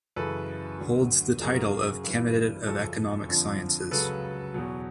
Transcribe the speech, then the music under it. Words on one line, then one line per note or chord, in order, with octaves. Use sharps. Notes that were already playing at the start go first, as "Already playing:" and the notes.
Holds the title of Candidate of Economic Sciences.
F#2 C#3 E3 A4 B4
D2 D3 F#3
F#2 C#3 F#3 G#4 A#4
G2 E3
F#2 C#3 F3 A4
F2 D3 F3
C#2 C#3 F#3 A4 B4
E2 B2 F#3